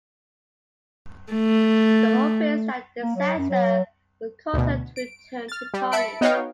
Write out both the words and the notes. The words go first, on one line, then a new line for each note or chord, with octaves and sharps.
The hope is that the disaster will cause her to return to Connie.
A3
A#3
F#3
F#2
F#3
D2 B2
D7
F6 A6
G3
E5 A5 B5 C#7 D7
B3 D#4 F#4 C#5 F5 G5